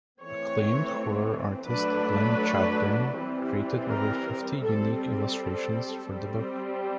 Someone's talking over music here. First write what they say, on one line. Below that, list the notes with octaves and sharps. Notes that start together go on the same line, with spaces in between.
Acclaimed horror artist Glenn Chadbourne created over fifty unique illustrations for the book.
E3 A3 C4 C#5
F#3 A3 D4 B4
E3 G3 C4
A#4
G3 C4 A4
A4
G3 C4